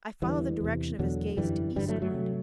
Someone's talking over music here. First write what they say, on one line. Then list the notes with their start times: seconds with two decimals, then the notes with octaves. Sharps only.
I follow the direction of his gaze to eastward!
0.22 E2 D3 E3 G3
0.60 E2 C3
0.99 E2 B2 D3 F#3
1.37 F#2 D3 E3 G3
1.76 G2 D3 E3 G3
1.88 F#3 A3
2.02 F#3 A3
2.14 C3